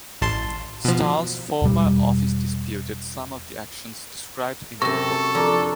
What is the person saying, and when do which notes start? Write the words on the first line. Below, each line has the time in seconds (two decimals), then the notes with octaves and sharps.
Stull’s former office disputed some of the actions described in the report.
0.21 A1 A5 C6
0.85 B2 F3
1.62 E1 G3
4.82 F#2 C3 A4 C#6
5.35 F2 D4 A#4 D5